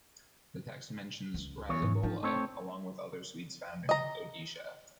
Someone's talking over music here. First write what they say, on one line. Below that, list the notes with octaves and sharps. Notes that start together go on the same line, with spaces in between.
The text mentions Rasagola, along with other sweets found in Odisha.
C#2
E2 E3 C#5
G#2
F3 D4 D#4
A3 C4 C#5
D#5 A#5